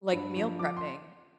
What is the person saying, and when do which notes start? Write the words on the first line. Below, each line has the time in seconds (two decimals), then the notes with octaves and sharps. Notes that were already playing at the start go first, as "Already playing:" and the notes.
Like, meal prepping.
0.13 G2
0.36 F3
0.59 F3 D6
0.77 C6